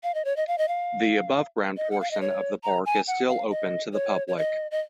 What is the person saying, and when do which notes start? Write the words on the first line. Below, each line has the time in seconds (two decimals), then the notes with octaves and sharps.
The above ground portion of the Park is still open to the public.
0.03 F5
0.14 D#5
0.25 C#5
0.36 D#5
0.48 F5
0.58 D#5
0.68 F5
1.77 D#5
1.91 F#5
2.01 F5
2.11 D#5
2.21 C#5
2.63 A#5
2.86 G#5
3.07 F#5
3.28 F5
3.51 D#5
3.93 C#5
4.28 C#5
4.37 D#5
4.71 D#5